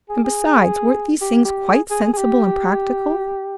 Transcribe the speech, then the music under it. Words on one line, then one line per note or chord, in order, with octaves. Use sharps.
And, besides, weren't these things quite sensible and practical?
G#4
G#4
G4
G4
G#4
G#4
G#4
G4